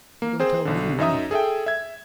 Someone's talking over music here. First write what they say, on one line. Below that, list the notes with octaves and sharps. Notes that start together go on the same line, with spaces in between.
You don't tell me anything.
A#3
C4 G#4 C5
B1 D3
F#2 D#4 E5 D#6
G#4 A4 E5 G5
E5 G#6